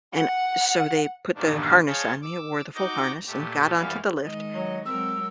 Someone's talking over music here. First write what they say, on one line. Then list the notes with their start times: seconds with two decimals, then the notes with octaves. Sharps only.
And so they put the harness on me. I wore the full harness and got onto the lift.
0.14 F#5
1.35 E2 G2 A#2 D#3 F3 D4
1.87 F3 G#4 C#5 F5 A5 G6
2.22 D6 E6
2.75 D#4 F#4 D#5 D6 G6 A#6
3.27 A#2 A3 G4
3.75 F#2 E3 G3 F5
4.22 D#3 G#3 D#5
4.54 F#3
4.86 F#3 G#3 C4 A#4 E6